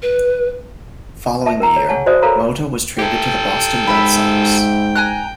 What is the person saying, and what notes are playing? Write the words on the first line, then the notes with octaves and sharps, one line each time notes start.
Following the year, Mota was traded to the Boston Red Sox.
B4
E5 A5
A#4 G5 A#5
C#5
G#4 C#5 F#5 G#5 A5
F#4 C5 D5 E5 D#6
A4 A#4 C#5 F5 A#5 B5
E4 G4 A4 G5
G#2 E5 B5
G#5 A#5 F#6